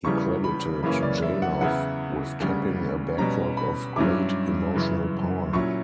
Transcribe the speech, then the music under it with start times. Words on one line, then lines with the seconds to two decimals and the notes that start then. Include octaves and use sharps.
He credited Janov with tapping a bedrock of great emotional power.
0.04 E2 C#3 E3 G3 C#6
0.44 B5
0.83 F#2 C#3 E3 A#3 C#4 B5
1.03 D5
1.22 E5
1.42 F#5
1.61 E2 C#3 E3 B3 E4 F#5
2.40 D2 C#3 G3
3.18 B2 G3 C#4 A#5
3.57 B5
3.96 G2 F#3 C#4 E4 D6
4.75 F#2 C#3 E3
5.53 A#2 F#3 C#4 E4 C#6